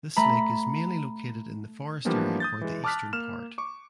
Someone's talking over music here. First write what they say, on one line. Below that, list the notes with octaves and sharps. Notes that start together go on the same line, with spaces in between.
This lake is mainly located in the forest area for the eastern part.
A3 A#5 B5
E3 F3 G3 A#3 B3 D4
D#6 G6 A6
E3 G#3
A5 D6 D#6 F6 F#6 B6
A#3 F6 E7
C#6 D6